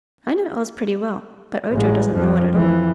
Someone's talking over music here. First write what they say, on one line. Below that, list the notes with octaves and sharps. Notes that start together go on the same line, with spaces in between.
I know Oz pretty well, but Ojo doesn't know it at all.
A1 G#3
F2 F3
F2 E3